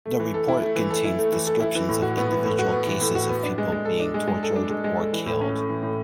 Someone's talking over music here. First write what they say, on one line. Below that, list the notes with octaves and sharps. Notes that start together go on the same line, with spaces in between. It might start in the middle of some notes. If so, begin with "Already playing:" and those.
The report contains descriptions of individual cases of people being tortured or killed.
A3
E3
A4
E4
A3
E3
A4
E4
A3
E3
A4
E4
E3
A2
F#4
B3
E3
A2
F#4
B3
E3
A2
F#4
B3
D4
G#3
G#3
A4
D4
G#3
G#3
A4
D4
G#3
G#3
A4
E3
A2
C#4
A3
E3
A2